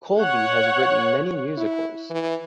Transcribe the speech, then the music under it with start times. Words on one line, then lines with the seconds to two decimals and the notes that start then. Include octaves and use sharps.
Colby has written many musicals.
0.21 C#5 F#5
1.57 E4
2.10 E3